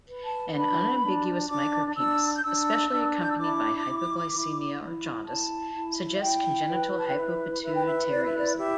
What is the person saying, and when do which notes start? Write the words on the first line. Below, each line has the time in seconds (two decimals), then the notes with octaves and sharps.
An unambiguous micropenis, especially accompanied by hypoglycemia or jaundice, suggests congenital hypopituitarism.
0.08 B4
0.23 A5
0.55 D4 B5
1.03 D4
1.49 D4 D6
1.96 D4 E6
2.35 G6
2.43 D4 E6
2.91 D4
3.21 G6
3.30 E6
3.38 E4 D6
3.85 E4
4.33 E4
4.80 E4
5.27 E4 A5
5.74 E4
6.14 E5
6.21 E4 G5
6.69 B4
6.97 A5
7.06 G5
7.16 E4 E5
7.62 B4 E5
7.74 G5
7.85 E5
8.10 E4 D5
8.24 E5
8.37 D5
8.57 G4 E5